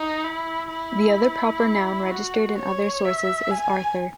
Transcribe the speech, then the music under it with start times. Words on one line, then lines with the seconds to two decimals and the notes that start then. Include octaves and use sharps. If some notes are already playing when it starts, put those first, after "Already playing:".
The other proper noun registered in other sources is Arthur.
Already playing: D#4
0.24 E4
0.71 E4
2.11 F#4
2.58 C#5
3.05 E5
3.51 G#5